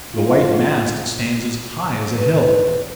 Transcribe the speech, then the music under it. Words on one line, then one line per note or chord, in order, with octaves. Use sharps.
"The white mast stands as high as a hill."
F2 F3 F#3 F4
B4